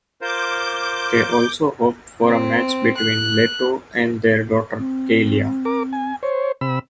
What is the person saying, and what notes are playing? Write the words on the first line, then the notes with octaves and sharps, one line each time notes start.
They also hope for a match between Leto and their daughter, Kailea.
F4 A#4 C5 D6 G6
C4
F#6
C4
A#4 D6
G#5
C5 C#5
C3 B5 E6